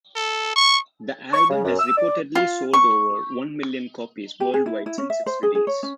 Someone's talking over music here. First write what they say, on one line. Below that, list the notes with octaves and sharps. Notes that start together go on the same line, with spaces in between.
The album has reportedly sold over one million copies worldwide since its release.
A4
C#6
C#6
C#3
F#2
E6
D5
F4
C#6
G4
G#4
E4
E4
C#4
E5
C5
G#4
G#4
C#5
C#4